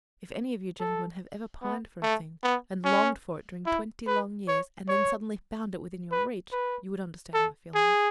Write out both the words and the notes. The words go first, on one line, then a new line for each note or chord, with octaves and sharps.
If any of you gentlemen have ever pined for a thing, and longed for it during twenty long years, and then suddenly found it within your reach, you would understand my feelings.
A4
B3
A3
B3
C#4
E4
B4
C#5
C#5
B4
B4
A4
G#4